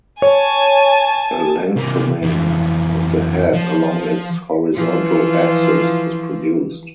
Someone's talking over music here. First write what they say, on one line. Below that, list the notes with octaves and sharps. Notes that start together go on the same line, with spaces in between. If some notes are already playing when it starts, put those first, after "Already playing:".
A lengthening of the head along its horizontal axis is produced.
C#5 G#5 A5
C3 A#3
F2 E3
F3
E3 F3 F4